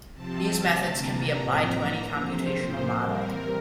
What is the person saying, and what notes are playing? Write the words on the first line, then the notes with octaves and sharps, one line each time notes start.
These methods can be applied to any computational model.
C3 F3 C4 A5
D3 A3 C4
C3 E3 A#3 A#5
A2 F3 C4
E3 A#3
C3 F3 A3 C4 C5
A2 F3 A#3
E3 G3 C4 A#4